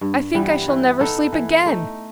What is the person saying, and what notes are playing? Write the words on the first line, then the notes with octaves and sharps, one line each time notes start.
I think I shall never sleep again.
G2
E3 G3 B3
E3
B3 D#4 A4
E3
A3 D#4